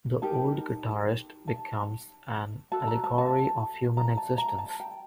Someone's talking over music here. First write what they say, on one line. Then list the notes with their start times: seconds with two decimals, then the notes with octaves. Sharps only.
"The Old Guitarist" becomes an allegory of human existence.
0.22 D#4 G4 A#4 A5
1.48 A5
2.72 F#4 A4 A5
2.87 A#5
3.04 A5
3.18 A5
3.97 A#5
4.17 A5
4.38 A#5
4.58 A5
4.80 G5